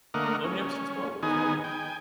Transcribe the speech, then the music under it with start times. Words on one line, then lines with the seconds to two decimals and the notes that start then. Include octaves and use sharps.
Oh, never seen Star Wars, okay.
0.14 D3 A3 A#3 A#4 D#5 F#5
0.44 C#4
1.23 D#3 B3 D#4 G#4 G#5
1.64 G5 G#5